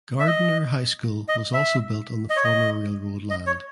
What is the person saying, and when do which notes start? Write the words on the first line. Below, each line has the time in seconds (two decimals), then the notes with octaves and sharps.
Gardiner High School was also built on the former railroad land.
0.20 E5
0.27 D#5
1.28 D#5
1.54 E5
2.30 D#5
2.36 C#5
2.44 D#5
3.30 D#5
3.47 C#5